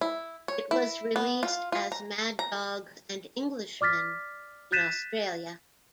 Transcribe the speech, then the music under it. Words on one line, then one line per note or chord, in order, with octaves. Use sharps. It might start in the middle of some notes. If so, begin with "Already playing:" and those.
It was released as "Mad Dogs and Englishmen" in Australia.
E4
C#5
E4
B3
F4
F4
A#5
A#5
D5 D6 F6 A6 B6
F#6 G6 A6 B6 D#7 E7